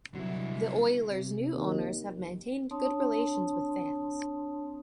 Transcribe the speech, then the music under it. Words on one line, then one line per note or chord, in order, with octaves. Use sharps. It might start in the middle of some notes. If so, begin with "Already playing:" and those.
The Oilers' new owners have maintained good relations with fans.
C2 D3 F#3 E4
C3
D#2
C4 D4 C#5 A5 C6 D#6